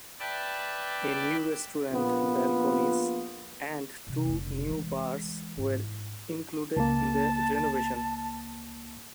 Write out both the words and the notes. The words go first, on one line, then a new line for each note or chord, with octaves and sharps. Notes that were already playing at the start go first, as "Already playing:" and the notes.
A new restaurant, balconies, and two new bars were included in the renovation.
B4 D5 E5 G5 A5
A#1 A#2 B3 F4
C3 E3
F1 D3
E3 G#3
G#2 E4
C#2 A#3 A5